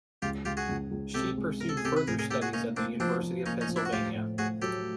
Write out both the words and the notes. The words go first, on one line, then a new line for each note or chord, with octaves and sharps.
She pursued further studies at the University of Pennsylvania.
C#2 F4 G4
C#2 F4 G4
F#4 G#4
C#2
C#2
C3 G4 A4
G#3
C3 A#4
A4
G#4
C3 G4 A4
B4
A2 G#4 A#4
G#4 A#4
A#3 G4 A4
F#4 G#4
A#3 C#4 D#4
A#3 C4 D4
F3 C4 D4
F3
A#3 C#4 D#4
C#4 D#4
F3
D4 E4
F#4
A2 F4 G4
A2
A2 F#4 G#4
F#3 G4 A4